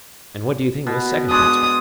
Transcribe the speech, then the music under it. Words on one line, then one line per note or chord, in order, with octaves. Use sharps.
And what do you think of a second principle?
B2
G#3 D4 D#6